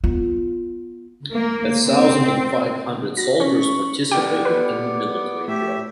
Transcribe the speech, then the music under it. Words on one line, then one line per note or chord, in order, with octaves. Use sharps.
A thousand and five hundred soldiers participated in the military drill.
B3 F4
A#3
C4
F#4 B5 A#6
C#4 C#6
B3 G4 A4 D5 G5 D6
B4
A2 G4 E5